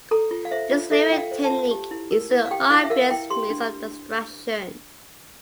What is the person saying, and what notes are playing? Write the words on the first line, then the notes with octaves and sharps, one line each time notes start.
This layering technique is an obvious means of abstraction.
A4 A#5
F4
F5
C5 E5
F4
A4 E5
F4 G5
F5
C5
A5
F4
G4
E4
A#4
E4
F5
G4 G5
E4 F5
E5
A#4 F5
E4 G5
G4 C6
D4